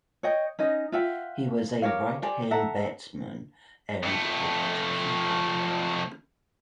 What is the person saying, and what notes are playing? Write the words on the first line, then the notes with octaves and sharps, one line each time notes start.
He was a right hand batsman and wicket-keeper.
C#5 D#5 G5
C#4 D#4 D#5
F4 E5 F#5 G5
G4 A#4 C#5 F5
G4 C5 D5 G#5
A4 E5 F#5 A#5
F2 A3